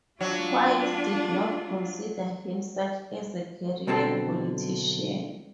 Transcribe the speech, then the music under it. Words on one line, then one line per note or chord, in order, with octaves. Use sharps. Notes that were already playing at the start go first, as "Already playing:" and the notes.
White did not consider himself as a "career politician".
F#3 D4 F4
B1 B2 D3 C4 A4